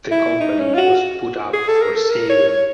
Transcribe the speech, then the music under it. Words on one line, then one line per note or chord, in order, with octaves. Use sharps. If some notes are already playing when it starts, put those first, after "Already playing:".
The company was put up for sale.
E4
D#4
C#4
F4
F#4
G#4
A4
A#4
A4
A#4
C#5
C#5